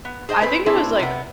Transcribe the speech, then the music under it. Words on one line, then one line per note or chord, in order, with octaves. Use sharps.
I think it was like
B3
G#4 C5 D#5 G5 A5
C4 B4
A3 C4 D4 E4
C3 B3